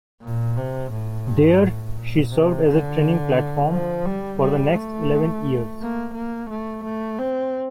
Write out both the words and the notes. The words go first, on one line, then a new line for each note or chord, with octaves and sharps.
There she served as a training platform for the next eleven years.
A#2
C3
A2
G2
A2
A#2
C3
D3
F3
G3
G3
A3
A#3
A#3
A3
A3
C4